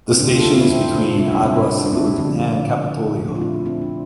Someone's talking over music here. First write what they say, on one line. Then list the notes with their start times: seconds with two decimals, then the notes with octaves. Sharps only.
The station is between Agua Salud and Capitolio.
0.12 C4
0.19 D3 A3 D4
0.32 D4 F4
0.38 A4
0.45 E4 G4
0.56 C4 E4
0.69 C4 E4
0.93 D4 F4
1.18 C3 G3 A#3 C4 E4
1.31 D4
1.43 C4 E4
1.56 D4
1.68 D4
1.86 D4
1.93 C4 E4
2.05 D4
2.18 D3 F3 A3 C4 E4
3.17 A#2 F3 A3
3.28 D4
3.35 F4
3.40 C4 E4
3.53 D4
3.65 C4 E4
3.81 D4